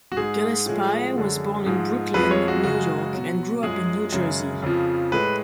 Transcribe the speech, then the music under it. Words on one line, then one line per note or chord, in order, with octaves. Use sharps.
Gillespie was born in Brooklyn, New York, and grew up in New Jersey.
F#4
G#2 G#3 G#4
A2 F3 G#3
F#2 D3 G#3
G#2 F3 G#3
F2 F3 G#3 B4
C#5
F#4
F#2 C#3 G#3 F#4
B2 F#3
F#2 F3 G#3 G#4
F#2 C#3 G#3
F2 C#3 F3
A2 G#3 B4